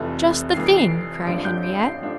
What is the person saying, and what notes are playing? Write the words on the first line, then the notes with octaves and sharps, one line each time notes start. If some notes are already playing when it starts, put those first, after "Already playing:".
"Just the thing!" cried Henriette.
Already playing: F1 F2 E3 A3
F1 F2 E3 A3 C7
D7
C7
A1 G2 F3 A3 D4 D7
G6
D7
C7
F3 A3 D4